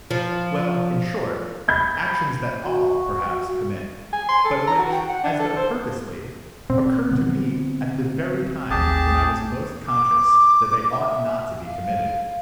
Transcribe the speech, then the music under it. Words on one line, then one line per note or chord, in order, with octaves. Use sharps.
Well, in short, actions that all, perhaps, commit; but which, as though purposely, occurred to me at the very time when I was most conscious that they ought not to be committed.
F3
B5 G6 G#6
F#4
G#5
C6
A4
A#5
F#4
G5
F#5
D4
A4
C5
A#2 C4
D3 B3
A1 D#2 G4 G#4 A5
D6
E5
F5